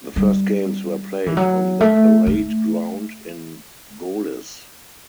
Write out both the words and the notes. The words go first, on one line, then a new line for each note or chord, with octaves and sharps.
Their first games were played on the parade ground in Gohlis.
G3
E3
F#3
A3
A3